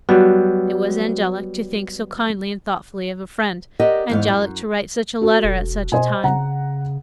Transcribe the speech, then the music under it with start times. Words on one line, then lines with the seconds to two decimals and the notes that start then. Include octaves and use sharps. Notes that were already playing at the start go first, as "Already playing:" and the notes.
It was angelic to think so kindly and thoughtfully of a friend--angelic to write such a letter at such a time.
0.09 F#3 G3 B3 F#4
3.80 G4 A#4 D5 D#5 F#5
4.10 E2 G#2 F5
4.28 F#2
5.21 F#4 A4
5.44 E1
5.92 B2 C5 D#5 G#5
6.24 C#3 F#5 A#5